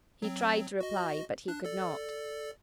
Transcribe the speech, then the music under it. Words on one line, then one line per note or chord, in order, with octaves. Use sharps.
He tried to reply, but he could not.
F#3 C4
F#4 D#5
D4 F#6
A4 D5